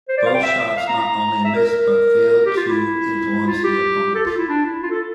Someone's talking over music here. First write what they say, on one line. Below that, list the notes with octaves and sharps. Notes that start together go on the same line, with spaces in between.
Both shots not only missed but failed to influence the opponents.
C5
D5
F5
G5
E5
E5
F5
A#5
A#5
E5
A#4
A#4
G4
F4
E4
F4
G4
A4
F4
E4
D4
E4
F4
A4